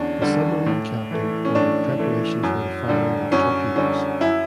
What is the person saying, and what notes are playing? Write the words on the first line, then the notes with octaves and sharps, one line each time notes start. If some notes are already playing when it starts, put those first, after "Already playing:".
The submarine captain ordered preparations for the firing of torpedoes.
Already playing: E2 D3 C#4 D4
D3 G3
A2
E3 A3
C#4
A2 D4
E3 A3
F#2
D3 G3
F#2 C#4
D3 G3 C#4
F#2 E4